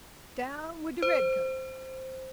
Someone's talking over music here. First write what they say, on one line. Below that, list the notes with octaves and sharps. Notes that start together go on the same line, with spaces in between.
Down wid de redcoats!
C5